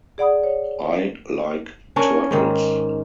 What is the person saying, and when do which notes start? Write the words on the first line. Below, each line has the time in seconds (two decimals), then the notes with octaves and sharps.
I like turtles.
0.18 G#4 D5 F#5 B5 D#6
0.44 C#5
1.96 C#4 D4 A#4 C#5
2.31 G#2 D#3